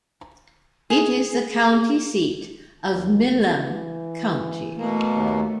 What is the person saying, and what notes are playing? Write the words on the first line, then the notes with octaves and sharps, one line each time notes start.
It is the county seat of Milam County.
G#4
D#2
E3
B2 A3 A#3
D#2